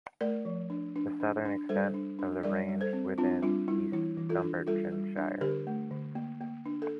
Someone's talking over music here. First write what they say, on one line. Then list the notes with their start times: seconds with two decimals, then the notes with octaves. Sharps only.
The southern extent of the range fall within East Dunbartonshire.
0.21 A3 A#4 D5
0.45 F3
0.70 D4
0.96 D4
1.20 D4
1.45 D4
1.69 G3 A4 C5
1.94 D4
2.19 D4
2.43 G3 A#4 D5
2.69 G3
2.81 A4 C5
2.93 C4
3.18 C4 D4 F4
3.43 G3 D4 F4
3.68 G3 E4
3.92 E3 E4
4.17 E3
4.29 F4 A4
4.42 D4
4.67 G3 F4 A4
4.92 G3
5.17 D4
5.41 D3 G4 A#4
5.67 A3
5.91 D3
6.15 A#3
6.41 A#3
6.66 D4
6.82 A4